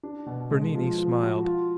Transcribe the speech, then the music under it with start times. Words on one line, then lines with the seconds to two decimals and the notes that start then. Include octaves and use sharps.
Bernini smiled.
0.03 D4
0.26 B2
0.51 G#3
0.75 F3
0.98 F3
1.22 F#4
1.45 F4